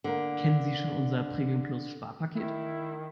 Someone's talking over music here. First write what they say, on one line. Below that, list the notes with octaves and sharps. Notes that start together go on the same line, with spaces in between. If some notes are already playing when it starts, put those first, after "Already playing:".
Kennen Sie schon unser Premium-Plus-Sparpaket?
D3 A#3
D#3 E4